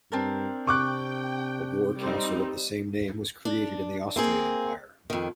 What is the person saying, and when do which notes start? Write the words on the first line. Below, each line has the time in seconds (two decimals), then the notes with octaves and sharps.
A war council of the same name was created in the Austrian Empire.
0.12 G2 C4 D4 A#4
0.67 C3 G5 C#6 D6 F#6
1.99 G3 C4 D#4
3.45 D4
4.16 A#3 C4 G#4
5.10 F2 D#3